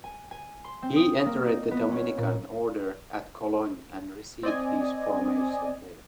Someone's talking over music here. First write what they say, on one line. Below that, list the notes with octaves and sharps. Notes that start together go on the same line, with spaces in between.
He entered the Dominican Order at Cologne and received his formation there.
G#5
G#5
C6
C4
D#6
A#3
D#4
B3
C#4
A#2
C4 D5 D#5 G#5